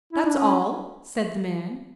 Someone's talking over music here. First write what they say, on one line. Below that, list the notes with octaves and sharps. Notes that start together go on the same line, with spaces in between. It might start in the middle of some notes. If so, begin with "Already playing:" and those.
"That's all," said the man.
E4
D4
C#4